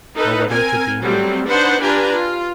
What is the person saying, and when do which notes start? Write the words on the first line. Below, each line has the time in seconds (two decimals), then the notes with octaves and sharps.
No weather to be in the open.
0.15 D#4 A4 B4
0.50 C4 A#4 G#5
1.00 F#3 G3 A3 C4
1.46 D4 D#4 B4 C5 F#5
1.82 D4 F4 G4 B4 G#5 A#5
2.11 F4